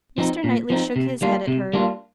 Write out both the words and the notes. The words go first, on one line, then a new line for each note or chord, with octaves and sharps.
Mr. Knightley shook his head at her.
F3 C4 D#4
A#2
F3 C4 D#4
C3
G3 A#3 D4 F4
C3
G3 A#3 D4 F4